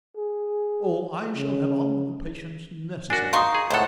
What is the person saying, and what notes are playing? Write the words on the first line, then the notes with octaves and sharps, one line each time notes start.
"Oh, I shall have all the patience necessary!"
G#4
C#3
D4 F#4 A#4 G#5
D#4 F5 C6 C#6 D#6
G#4
C#2 A2 A4 C5 F#5